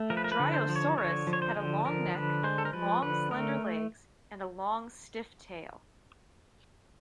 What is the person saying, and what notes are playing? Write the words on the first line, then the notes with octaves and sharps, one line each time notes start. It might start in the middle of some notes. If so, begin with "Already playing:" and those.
"Dryosaurus" had a long neck, long, slender legs and a long, stiff tail.
Already playing: A3
F3 A#4
B4
A#4
B4
D3
C5
F3
C#5
D3 C#5
F3
C#5
C5
D3
F3 A#4
D3 B4
G#3 C5
A4
A#4
F3 B4
D3 B4
A3 A#4